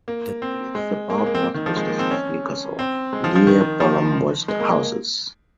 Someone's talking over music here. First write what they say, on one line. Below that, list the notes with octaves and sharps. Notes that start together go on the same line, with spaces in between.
The village is about north-west of Newcastle, near Bolam West Houses.
A#3
C4
G#3
A#3
G#3
A#3
C4
A#3
D#3
F3
G#3
A#3
C4
C#4
C4
G#3
F3
F3
D#3
F3
G#3
A#3
A#3